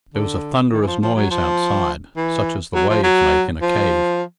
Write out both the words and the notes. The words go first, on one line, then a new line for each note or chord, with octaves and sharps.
There was a thunderous noise outside, such as the waves make in a cave.
D3
D#3
E3
F3
F3
F#3
F3
E3
F#3
F3
F#3
F3